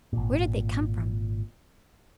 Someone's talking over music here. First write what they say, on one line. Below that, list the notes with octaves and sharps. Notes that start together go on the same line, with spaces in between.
Where did they come from?
G#1 A#2